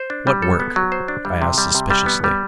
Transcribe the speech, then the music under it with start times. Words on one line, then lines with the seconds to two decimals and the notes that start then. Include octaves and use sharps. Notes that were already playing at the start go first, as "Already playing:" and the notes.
"What work?" I asked suspiciously.
Already playing: C5
0.10 D4
0.27 G3
0.42 A4
0.60 B3
0.76 F#3
0.92 C5
1.08 D4
1.25 G3
1.42 C3
1.58 G3
1.75 C3
1.90 G3
2.06 B3
2.24 G3